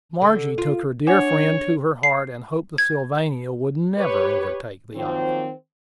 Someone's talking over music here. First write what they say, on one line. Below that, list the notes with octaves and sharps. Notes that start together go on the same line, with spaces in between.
Margie took her dear friend to her heart, and hoped the Sylvania would never overtake the Islander.
D3
F4
D4 C#5 F#5 G#5
C7
G#6
G4 B4 C#5
D#3 F3 F#3 A#3 C4